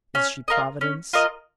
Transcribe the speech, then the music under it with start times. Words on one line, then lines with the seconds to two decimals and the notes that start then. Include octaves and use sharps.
Is she Providence?
0.15 C#4
0.48 F4 A#4 D#5
0.81 C#4
1.13 F4 A#4 D#5